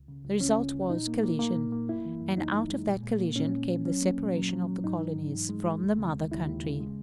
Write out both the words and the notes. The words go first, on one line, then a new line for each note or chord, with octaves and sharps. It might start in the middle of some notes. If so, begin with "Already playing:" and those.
The result was, collision; and out of that collision came the separation of the colonies from the mother-country.
Already playing: C#2
C#3
C#2
C#2 C#4
C#2
C#2
A#2 D#4
A#3
A#3
A#3
A#2
A#3
F#2 E4
E3
F#2
F#2 D#4
F#2
G#3
A#2
A#2
A#3
A#2 C#4
A#2
A#2
F#3 C#4
A#3
A#2
F#3
F#3
F#3
G#2 D#4
E3
G#2
G#2
G#3
G#3
D#2
C#3
D#2
D#2 E4
D#2
C#3
G#3